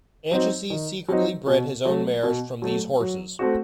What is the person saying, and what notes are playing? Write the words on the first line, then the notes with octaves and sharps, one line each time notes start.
Anchises secretly bred his own mares from these horses.
F#3 C4 D#4
D#3
F#3 C4 D#4
B2
F#3 A3
B2
F#3 A3
F#3
A3 C4 F#4